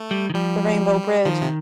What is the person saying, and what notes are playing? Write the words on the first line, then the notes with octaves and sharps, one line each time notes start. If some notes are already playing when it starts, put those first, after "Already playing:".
the Rainbow Bridge.
Already playing: A3
G3
D#3
F3 G3
D#3 F3
C3